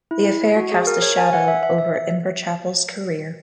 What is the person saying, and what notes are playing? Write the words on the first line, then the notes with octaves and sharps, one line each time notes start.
The affair cast a shadow over Inverchapel's career.
E4
F#4
G#4
A#4
C#5
G#5
F#5
E5
E5
E5